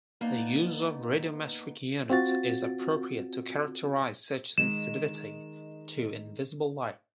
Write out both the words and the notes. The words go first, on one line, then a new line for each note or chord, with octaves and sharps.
The use of radiometric units is appropriate to characterize such sensitivity to invisible light.
A#3 B3 D4 D#4
C4 F4 F#4 A6
D#3 G#3 E7